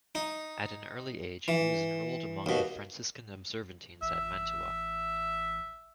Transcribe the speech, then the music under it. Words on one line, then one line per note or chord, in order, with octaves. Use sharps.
At an early age he was enrolled among the Franciscan Observantines at Mantua.
D#4
E3
D#2 B2
A1 E5